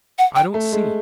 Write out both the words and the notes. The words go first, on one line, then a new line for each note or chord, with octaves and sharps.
I don't see.
F#5
G5
A3
G#3